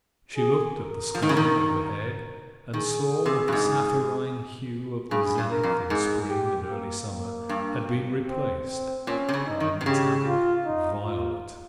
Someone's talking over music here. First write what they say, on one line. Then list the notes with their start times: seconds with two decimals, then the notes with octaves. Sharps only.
She looked at the sky overhead, and saw that the sapphirine hue of the zenith in spring and early summer had been replaced by a metallic violet.
0.36 G#4
0.75 A#4
1.15 F3
1.22 D#3
1.29 C#3
1.37 D#3
2.74 D#3 G#4
3.26 C3
3.48 G2
3.53 G#2
5.11 G2 G#4
5.38 G2
5.51 A#4
5.63 F2
5.90 G#2 G#4
6.30 G4
6.69 A#3
7.09 A#3
7.49 G2
8.28 C4
8.67 C4
9.07 A#2 C#4
9.29 C3
9.34 C#3
9.46 D#4
9.60 D#3
9.81 C3
9.86 C#3 G4
10.27 F4
10.65 D#4
11.05 F4